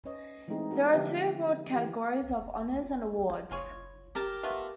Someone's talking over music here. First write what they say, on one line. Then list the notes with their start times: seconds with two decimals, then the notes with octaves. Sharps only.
There are two broad categories of honours and awards.
0.05 C#4 B4 C#5 D#5
0.48 E3 G#3 A3 C4 D#4 G#4
0.71 B3 C#4 F#4 A4
0.92 D3 F3 G4 B4 E5 F#5
1.73 E3 G4
3.51 F#1 F4 G#4 C#5
4.15 G4 A#4 A5
4.43 A3 B3 F4